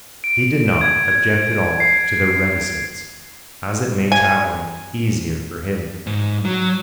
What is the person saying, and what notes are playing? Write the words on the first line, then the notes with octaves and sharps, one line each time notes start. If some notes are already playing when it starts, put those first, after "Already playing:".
He did not object at all to their reticence, as it made traveling easier for him.
D7
G#6
G#6
C7
G#5
G#2
F#3